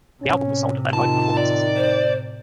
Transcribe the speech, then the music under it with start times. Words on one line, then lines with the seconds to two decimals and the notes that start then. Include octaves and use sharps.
The album was sold at their live performances.
0.23 A2 C3 C#4
0.93 D#3 F4 A5
1.37 D5
1.77 C5